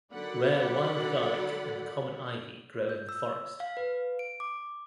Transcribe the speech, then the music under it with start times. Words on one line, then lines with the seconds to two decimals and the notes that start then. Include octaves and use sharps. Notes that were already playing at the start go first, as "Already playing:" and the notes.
Rare wild garlic and common ivy grow in the forest.
0.13 D3 D#3 F#3 D5 F#5 B5
2.89 G6
3.09 E6
3.60 F5
3.77 B4
4.19 D7
4.40 D6